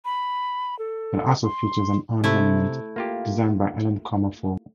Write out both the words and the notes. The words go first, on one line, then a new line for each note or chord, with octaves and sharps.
It also features an urn monument designed by Helen Comerford.
B5
A4
C6
C3 A3 E4
A#3 F4 G4